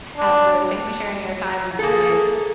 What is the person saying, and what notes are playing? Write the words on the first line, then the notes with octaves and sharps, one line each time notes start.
Absolutely, thanks for sharing your time and experience.
D4
A#3 G#4 A4